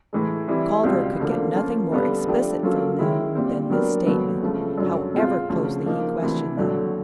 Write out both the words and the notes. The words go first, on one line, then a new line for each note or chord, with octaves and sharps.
Calder could get nothing more explicit from them than this statement, however closely he questioned them.
A2 E3 G#3
E3 G3 C4 E4
C#2 B2 G3 C4 F4
D2 D3 F3 A#3
F3 A#3 C#4 F4
G2 D3 G3 B3
F3 A3 D4 G4
F#3 A#3 C#4 F4 A4
D#3 G#3 C#4 E4
A#2 G3 C4
F#3 B3 D4 G4 A#4
D#2 D3 F#3 B3
C#2 C#3 F3 A3
F#2 D3 F#3
B2 G#3 C4 F4
D2 C#3 F3
F3 A#3 D#4
D2 C3 E3
D#2 D3 F#3